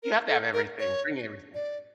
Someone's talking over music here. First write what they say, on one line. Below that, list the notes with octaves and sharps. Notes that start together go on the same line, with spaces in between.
You have to have everything, bring everything.
A#4
A4
A#4
C#5
D5